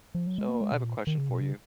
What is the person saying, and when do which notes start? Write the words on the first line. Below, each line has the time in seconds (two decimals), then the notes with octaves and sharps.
So, I have a question for you.
0.15 F3
0.27 F#3
0.38 G#3
0.49 A#3
0.61 G#3
0.72 B2
0.83 A#2
1.07 D#3
1.18 C#3
1.30 B2
1.41 C#3